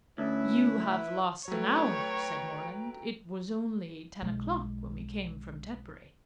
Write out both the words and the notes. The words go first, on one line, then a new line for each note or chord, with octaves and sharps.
"You have lost an hour," said Morland: "it was only ten o'clock when we came from Tetbury."
D2 C#4 E4 B4 E5
F#3 A3 B4 C#5 G5 A#5
B1 G#3